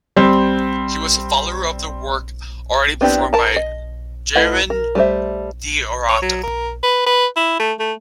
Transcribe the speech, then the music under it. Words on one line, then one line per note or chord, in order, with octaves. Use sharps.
He was the follower of the work already performed by Jeronim De Rada.
G3 C4
B3 C4 D4 E4 G4
A#4 A5 A#5
D#5
A3 E4 B4 D#5 F#5
A#4
G3 A3 G#4 C5 E5
C#5
F#3
A#4
B4
B4
E4
A3
A3